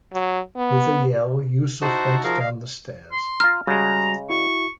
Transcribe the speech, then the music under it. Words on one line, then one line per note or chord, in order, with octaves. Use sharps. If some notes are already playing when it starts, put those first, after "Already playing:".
With a yell Yusuf went down the stairs.
F#3
B3
D#4 E4 F#4 C5 A5
F3 G#4 A#4 F5
D#5 F5
C6
F4 A#5 F6
C#3 G3 G#3 F#4 A#5
E4 F#4 C#6